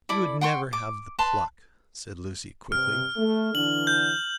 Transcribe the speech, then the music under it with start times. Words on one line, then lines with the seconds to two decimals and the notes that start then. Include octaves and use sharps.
"You would never have the pluck," said Lucy, quickly.
0.09 E4 A4 D5 B5
0.41 F#5 G5 C6 C#6
0.73 D6
1.19 B4 A5 C6
2.72 G2 C3 F6
3.17 A3
3.55 D3 E3 D4 F#7
3.87 G6